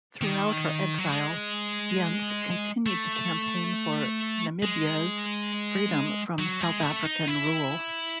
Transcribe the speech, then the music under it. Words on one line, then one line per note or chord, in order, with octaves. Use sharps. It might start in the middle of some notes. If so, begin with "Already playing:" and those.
Throughout her exile, Bience continued to campaign for Namibia's freedom from South African rule.
D#3
F#3
G#3
A3
G#3
F#3
G#3
A3
D#4
E4